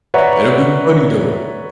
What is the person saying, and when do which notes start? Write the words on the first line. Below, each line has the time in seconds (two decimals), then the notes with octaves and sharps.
That'd be funny though.
0.14 B4 C#5 D5 E5 F#5 A#5